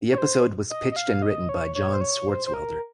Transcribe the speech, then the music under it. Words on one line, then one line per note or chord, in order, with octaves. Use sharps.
The episode was pitched and written by John Swartzwelder.
C#5
C5
D#5
D#5
F5
D#5
C#5
C#5
C5
C#5
C5
C5
A#4